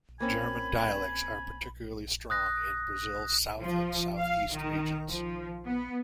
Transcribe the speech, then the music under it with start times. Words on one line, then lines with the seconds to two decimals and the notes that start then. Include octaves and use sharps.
German dialects are particularly strong in Brazil's South and Southeast Regions.
0.20 A#3 C4 C#4 G#5 B5
2.30 D#6 F#6 A#6
3.60 F3
4.18 F5
4.52 D#3
5.07 F3
5.67 B3